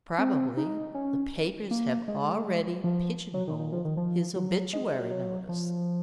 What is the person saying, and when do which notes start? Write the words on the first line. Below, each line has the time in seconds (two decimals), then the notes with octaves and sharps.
Probably the papers have already pigeon-holed his obituary notice.
0.19 C4
0.57 D#4
0.94 C#4
1.71 A#3
2.08 G#3
2.84 F3
3.34 F#3
3.47 D#3
3.59 D#3
3.72 F3
3.85 D#3
3.97 F3
4.36 F#3
4.73 G#3
4.86 G#3
4.99 F#3
5.11 F#3
5.49 F3